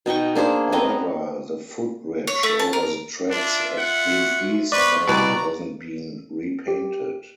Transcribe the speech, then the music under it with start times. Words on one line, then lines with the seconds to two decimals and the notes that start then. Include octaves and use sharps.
However, the footbridge over the tracks at the east end hasn't been repainted.
0.06 B2 D#4 G5 C#6
0.35 A#3 D4 G#4 C5
0.72 B3 C4 D#5 A#5
2.27 C#5
2.43 A3
2.60 A5
2.73 A#4
3.31 D4 F4 E5
3.78 F#5
4.11 F#4
4.72 B3 B4 C5 D5 C#6
5.08 C2 B2 B4 D5 A#5
6.68 G4